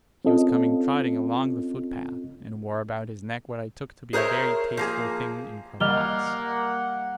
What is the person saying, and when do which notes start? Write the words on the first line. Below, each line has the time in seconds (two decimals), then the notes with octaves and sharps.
He was coming trotting along the foot-path, and wore about his neck what I took to be a very tasteful thing in cravats.
0.25 C4 C#4 F4 A4 D#5
4.13 G#4 A#4 C5 C#5 E5
4.77 F3 A#3 G#4
5.80 G3 A#3 D#5 F#5 F6 G7